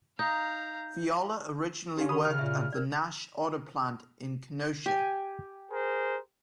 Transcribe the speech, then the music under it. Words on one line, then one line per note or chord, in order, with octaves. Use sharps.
Fiala originally worked at the Nash auto plant in Kenosha.
D#4 F5 A#5 G6
C#4 G4 F5
D#3 F#4 B5 C#6 D#6
C#3 F6
A#2 E5
A#4 D5
G4 G#5
G#4 A#4 C5